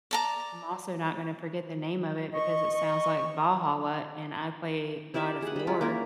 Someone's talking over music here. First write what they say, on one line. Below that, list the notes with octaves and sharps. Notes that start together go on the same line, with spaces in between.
I'm also not gonna forget the name of it because it sounds like Valhalla and I play God of War.
D5 A5 A#5
D#5 C#6
E4 G4 D5 E5
G#4 F#5
G3 B5
G#3 C#4 F4
A#3 D#4 E4 A#4